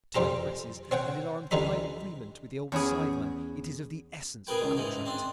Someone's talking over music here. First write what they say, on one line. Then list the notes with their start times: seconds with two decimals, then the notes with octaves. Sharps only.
Time presses, and in our implied agreement with the old scytheman it is of the essence of the contract.
0.14 F2 G3 C4 G4 A#5
0.91 C4 C#5 F#5 G5
1.51 C#2 D3 G3 G#3 D#4 B5
2.72 E2 C#4 E4 G#4
4.47 G#4 A#4 B4 G5
4.61 C#2 D#3
4.76 G#2 E3 D#4
5.06 C4 D4